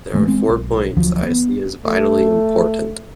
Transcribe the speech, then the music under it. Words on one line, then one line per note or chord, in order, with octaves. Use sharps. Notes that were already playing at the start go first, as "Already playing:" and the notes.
There are four points I see as vitally important.
A1 G#3 A3
G#3 C4
B1
D2 F3 F#3
A#3 B3
A3